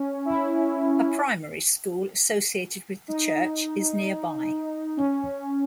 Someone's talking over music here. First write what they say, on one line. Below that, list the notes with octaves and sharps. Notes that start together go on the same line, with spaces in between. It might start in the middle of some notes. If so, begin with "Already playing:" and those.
A primary school associated with the church is nearby.
Already playing: C#4
E4
D#4
C#4